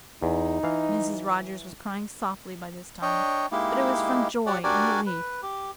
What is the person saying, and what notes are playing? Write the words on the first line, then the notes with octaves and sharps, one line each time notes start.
Mrs. Rogers was crying softly by this time, but it was from joy and relief.
E2 D#4
E3 F5
D4 C#5 D#5 G5
G#3 A#3 D#4 E4 G4
F#4 G4 C#5 D5 F#5
D4 F#4 G4 A#4 D5 G#5
B4
G4